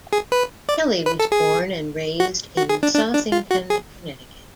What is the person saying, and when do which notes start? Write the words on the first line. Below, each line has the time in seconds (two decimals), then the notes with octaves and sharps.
Kelly was born and raised in Southington, Connecticut.
0.13 G#4
0.32 B4
0.69 D5
1.06 B4
1.19 A4
1.32 G#4
2.20 F#4
2.57 F#4
2.69 G#4
2.83 D4
2.95 D4
3.14 D4
3.32 F4
3.51 F#4
3.70 G#4